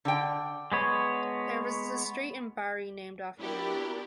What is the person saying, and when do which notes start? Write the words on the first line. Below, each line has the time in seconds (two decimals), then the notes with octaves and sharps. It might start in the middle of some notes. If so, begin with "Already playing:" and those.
There is a street in Barrie named after him.
0.05 D3 G5
0.72 G#3 B3 C#5
3.38 B3 D4 E4 F#4 G4 A#4